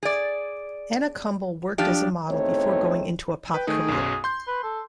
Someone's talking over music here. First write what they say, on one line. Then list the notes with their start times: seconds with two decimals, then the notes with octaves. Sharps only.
Anna Kumble worked as a model before going into a pop career.
0.03 G#4 D5
1.78 F3 D4 G4
2.29 E2 B2 A3 C4 D#4 C#5
3.54 B4 G5
3.67 D#3 A3 D#4 G#4
3.88 B1 F#2
4.24 C6 G6
4.47 B4
4.63 A4